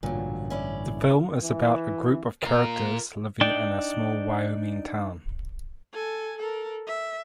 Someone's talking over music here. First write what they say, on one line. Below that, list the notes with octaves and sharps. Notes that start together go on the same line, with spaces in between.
The film is about a group of characters living in a small Wyoming town.
A1 G2 A#2 D3 F#3
C#4 E4 D5
E3
F4 A#4
D4 D#4 D5 G5
A4 G#5
A4 A#4
E5